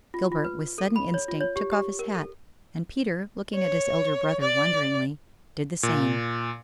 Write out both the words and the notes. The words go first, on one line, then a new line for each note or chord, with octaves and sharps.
Gilbert with sudden instinct took off his hat, and Peter, looking at his elder brother wonderingly, did the same.
F4
F4
B4
A4
B5
C#5
F4
C#5
G4
G4
A#4
A4
C#5
D5
A#2